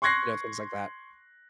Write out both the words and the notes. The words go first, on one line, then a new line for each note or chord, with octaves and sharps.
You know, things like that.
C6 C#6 F#6 G#6 A#6 C7